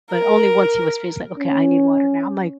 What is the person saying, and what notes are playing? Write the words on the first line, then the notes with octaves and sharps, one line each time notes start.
but only once he was finished, "Okay, I need water now." I'm like,
A#4
C#4